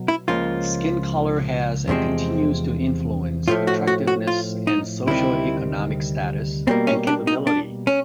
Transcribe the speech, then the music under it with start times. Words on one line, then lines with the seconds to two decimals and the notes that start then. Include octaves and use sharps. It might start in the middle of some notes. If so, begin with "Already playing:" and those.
Skin color has and continues to influence attractiveness and socioeconomic status and capability.
Already playing: B2 F#3
0.08 E4
0.28 C#2 C#3 F3 A#3 F4
1.88 E2 C3 F3 G#3 C4
3.47 A2 F3 A3 F4
3.67 F#4
3.87 F#4
4.07 F#4
4.27 F4
4.67 D#4
5.07 D2 C3 D#3 G3 C4 E4
6.67 B2 G3 A#3 C4
6.87 C#4
7.07 D4
7.27 D#4
7.47 D4
7.87 C#4